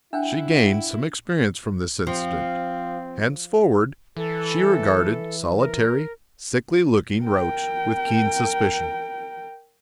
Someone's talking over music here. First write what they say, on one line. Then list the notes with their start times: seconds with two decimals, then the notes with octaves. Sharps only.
She gained some experience from this incident; henceforward, she regarded solitary, sickly-looking roach with keen suspicion.
0.13 D4 E4 E5 F#5 G5
2.07 F3 C4
4.17 E3 A4
5.57 A#4
7.22 A#4 G5